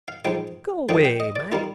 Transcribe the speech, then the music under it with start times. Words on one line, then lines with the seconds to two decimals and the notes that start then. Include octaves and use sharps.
Go 'way, man!
0.08 F5
0.25 G#2 F3 G#3 G5
0.89 D3 F3 A#3 D#4 G5
1.05 G5
1.20 D#5
1.36 D5
1.52 D#3 G3 A#3 F4